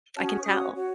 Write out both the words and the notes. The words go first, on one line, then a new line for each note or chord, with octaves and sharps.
I can tell.
C#4 F#4 C#5 A5
D#6
C#6
C#4 F#4 C#5 D#6
F#4 C#5